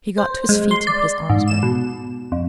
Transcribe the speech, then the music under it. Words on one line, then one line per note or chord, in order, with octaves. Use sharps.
He got to his feet and put his arms about her.
C5
G#3
C6
D5
G#2
E7
B2
F2